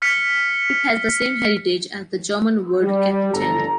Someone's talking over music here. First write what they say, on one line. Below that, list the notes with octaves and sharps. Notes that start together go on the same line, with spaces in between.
It has the same heritage as the German word “Kapitell”.
F6 B6 C#7
G3
G1 A4 A#5